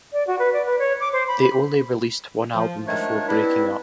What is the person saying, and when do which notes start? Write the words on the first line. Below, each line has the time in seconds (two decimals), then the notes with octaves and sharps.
They only released one album before breaking up.
0.13 D5
0.27 F#4
0.39 B4
0.53 D5
0.66 B4
0.79 C#5
1.00 D6
1.13 C5
1.28 B5
1.41 B5
2.55 F3
2.87 D#3 F3 G#3 A3 D4 C#5
3.28 G3 B3 C4 D4 E4